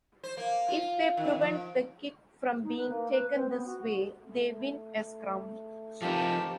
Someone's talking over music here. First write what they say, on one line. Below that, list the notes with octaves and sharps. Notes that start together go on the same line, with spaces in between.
If they prevent the kick from being taken this way, they win a scrum.
C5
A#3
F4
D#3
F3
D#4
B4
A#3
B4
C4
B3
F#4
A3
E3 F3 A#3 C4 D#4 G4 A5